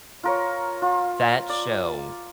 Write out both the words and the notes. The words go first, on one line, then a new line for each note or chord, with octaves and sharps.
That show,
F4 A#4 C#5
F4
D5